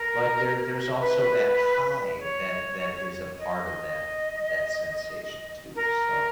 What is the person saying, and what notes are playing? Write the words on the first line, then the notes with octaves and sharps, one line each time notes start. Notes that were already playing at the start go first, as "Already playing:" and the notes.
Like there there's also that high that that is a part of that that sensation too, so
Already playing: A#4
B4
C#5
D#5
A#4